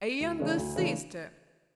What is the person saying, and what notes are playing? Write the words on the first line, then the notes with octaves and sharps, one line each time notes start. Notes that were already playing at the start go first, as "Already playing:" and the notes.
A younger sister!
D2
C#3 E3 A3 D4
D2
C#3 E3 A3 D4